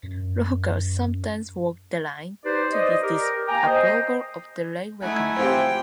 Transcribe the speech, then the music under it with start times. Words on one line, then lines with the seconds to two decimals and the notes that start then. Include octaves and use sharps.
Locals sometimes walk the line, to the disapproval of the railway company.
0.03 F#2
2.45 D#4 G4 B4 C5 D5
2.71 B4 C5 D5 D#5
3.01 G4 A#4
3.48 A#3 G5 G#5 A#5
3.66 C5 D#5
5.02 A3 D#4 E4 F#5 G#5
5.36 C4 F4 G4 G5